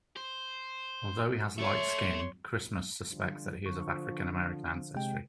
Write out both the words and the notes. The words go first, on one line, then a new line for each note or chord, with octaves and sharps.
Although he has light skin, Christmas suspects that he is of African American ancestry.
C5
A4 C#5 E5 C6
D3 F3 G3
D3 F3 C#6
C3 G#3 G5